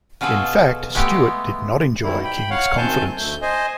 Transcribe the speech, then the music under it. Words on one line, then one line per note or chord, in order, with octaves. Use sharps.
In fact, Stewart did not enjoy King's confidence.
B2 F4 F#4 G#4 A4
G#3 A3 B3 G4
G#2 B2 D#3 G3 E4
G5 B5
C#5 F5 F#5
F#2 D#3 C4 G#5 A5 G6
D2 A3 G6
C5 D#5 G#5